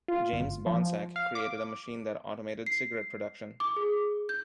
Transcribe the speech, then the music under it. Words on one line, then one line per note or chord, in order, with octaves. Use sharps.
James Bonsack created a machine that automated cigarette production.
F4
G1
F3
F5
D6
C7
D6
G#4
G6